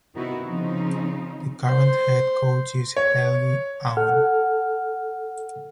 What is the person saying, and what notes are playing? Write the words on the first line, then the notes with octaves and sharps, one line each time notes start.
The current head coach is Helge Aune.
C3 D#3 B3 D#4 E4 F#4
C#3 F3 C4 D#4
C5
C#5
A4 F#5 F6